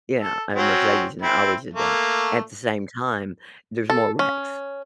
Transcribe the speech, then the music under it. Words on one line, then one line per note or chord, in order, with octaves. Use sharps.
Yeah, I have a Mercedes, and I always did that. At the same time, there's more wrecks,
A4
F#3 C4 C#4
C4 E4
A3 A#3
A4
C#4